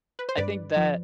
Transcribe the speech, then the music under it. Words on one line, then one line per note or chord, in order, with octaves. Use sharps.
I think that,
B4
C5
G2 B4 D5
F3